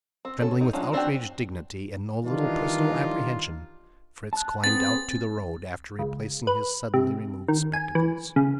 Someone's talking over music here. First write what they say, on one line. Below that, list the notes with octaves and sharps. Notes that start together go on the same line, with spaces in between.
Trembling with outraged dignity and no little personal apprehension, Fritz climbed out to the road after replacing his suddenly removed spectacles.
C4
C#4 A4
D#4
F3 F#3 G#3 C#4 D4
C4 D4 E4 F#4 G4
D#3 E3 G3 D4 D#4 F4
A5 F#6
B3 C4 G#4 A6
C#2
B4
C3
D#3
G#5
E3
C#3